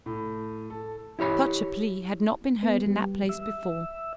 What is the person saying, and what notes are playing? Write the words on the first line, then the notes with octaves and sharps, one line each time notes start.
Such a plea had not been heard in that place before.
A2
A4
E4 G4 C#5 B5
B3
G3
E5